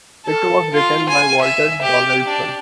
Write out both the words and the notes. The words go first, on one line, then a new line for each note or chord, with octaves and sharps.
It was written by Walter Donaldson.
A4
F4
G#5
E5
G4
D4